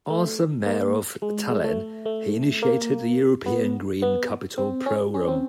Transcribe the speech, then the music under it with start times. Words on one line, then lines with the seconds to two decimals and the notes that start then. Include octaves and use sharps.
As a Mayor of Tallinn he initiated the European Green Capital programme.
0.10 A3
0.66 A#3
1.22 G#3
1.50 G#3
1.64 A3
2.05 A3
2.62 A#3
3.46 B3
4.02 B3
4.58 C4
4.86 C#4
5.14 C#4
5.28 C4